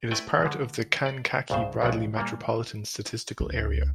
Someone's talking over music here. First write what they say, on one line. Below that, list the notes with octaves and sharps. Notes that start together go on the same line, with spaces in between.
It is part of the Kankakee-Bradley Metropolitan Statistical Area.
A3 E4 B4 D5 G5 G#5
D3 G#3
D5
C2 G2 C#3 C5
B1 F2 C#3 G#3 A3 F#5
A#2 G3 A#3
C#2